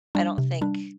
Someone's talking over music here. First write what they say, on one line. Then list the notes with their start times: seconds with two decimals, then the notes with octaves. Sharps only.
I don't think
0.15 G3 D4
0.38 C3
0.61 G3 D4